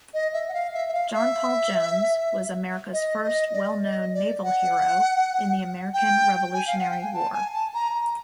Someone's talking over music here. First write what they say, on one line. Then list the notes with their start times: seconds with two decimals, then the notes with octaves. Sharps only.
John Paul Jones was America's first well-known naval hero in the American Revolutionary War.
0.14 D#5
0.33 E5
0.48 F#5
0.54 F5
0.74 E5
0.88 E5
0.94 F5
1.13 E5
2.93 D#5
3.24 D#5
3.54 D5
3.84 D#5
4.14 D5
4.43 F#5
5.94 G5
6.54 G#5
6.67 F5
6.79 F#5
6.91 G5
7.02 G#5
7.14 A5
7.34 G#5
7.54 A5
7.74 A#5